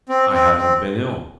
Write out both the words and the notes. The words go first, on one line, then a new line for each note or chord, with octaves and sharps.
"I haven't been ill."
C4
C4
C4